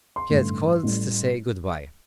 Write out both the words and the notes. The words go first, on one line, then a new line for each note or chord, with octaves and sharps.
She had called to say good-by.
C6
A1 G2 D3
A1 A2 G3